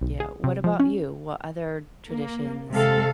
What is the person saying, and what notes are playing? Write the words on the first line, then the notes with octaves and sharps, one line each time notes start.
Yeah, what about you? What other traditions
B1
G#4
C3
F3
C#4
A#3
C3 G#3 A4 F5